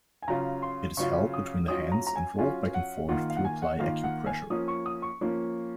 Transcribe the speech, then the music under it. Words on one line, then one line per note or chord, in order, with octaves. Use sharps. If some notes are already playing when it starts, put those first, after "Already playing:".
It is held between the hands and rolled back and forth to apply acupressure.
G#5
C#3 F#3 C#4 F4 A#5
C6
C#3 F#3 C#4 F4 C#6
D#6
F#3 C#4 F4 D#6
A#5
A#5
G#5
F#3 C#4 F4 G#5
F#5
D#3 A#3 F4 F#5
F5
F#5
G#5
F#5
D#3 A#3 F4 F5
F#5
G#5
F3 A#3 C#4 D#6
C#6
D#6
C#6
F3 A#3 C#4